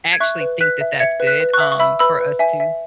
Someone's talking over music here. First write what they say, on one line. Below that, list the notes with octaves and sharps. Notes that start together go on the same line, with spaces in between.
actually think that that's good, um, for us to,
G#6
E5 C#6 F#6
B4
B4 F#6 B6
E5
E5 G#6 C#7
B4
F#6 B6
B4
C#6 F#6
E5
C#6
E5 B5 E6
B4 B5 E6
B4
E5 G#5
E5